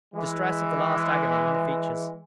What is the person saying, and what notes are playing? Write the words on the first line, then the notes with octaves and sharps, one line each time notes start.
The distress of the last agony in the features.
E3 G#3